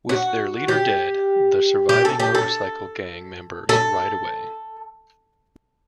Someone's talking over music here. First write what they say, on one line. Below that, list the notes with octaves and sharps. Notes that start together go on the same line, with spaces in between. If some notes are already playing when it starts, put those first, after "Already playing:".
With their leader dead, the surviving motorcycle gang members ride away.
F#4
G4
G4
A4
G4
A4
A4